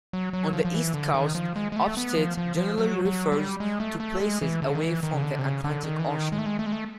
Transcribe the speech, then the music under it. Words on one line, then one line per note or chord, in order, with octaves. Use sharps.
On the east coast, upstate generally refers to places away from the Atlantic Ocean.
F#3
F#3
F3
F3
E3
D3
D#3
F3
G#3
G#3
A3
B3
F3
F3
F3
F#3
F#3
G3
G#3
A3
A3
G#3
E3
D3
D#3
E3
D#3
C#3
D3
C3
C#3
D3
D#3
E3
D#3
G#3
A3
G#3
A3
G#3
A3